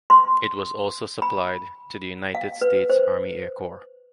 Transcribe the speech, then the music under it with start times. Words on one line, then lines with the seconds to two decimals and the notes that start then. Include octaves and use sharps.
It was also supplied to the United States Army Air Corps.
0.10 C6
1.22 B5
2.35 F5
2.61 B4
2.90 C5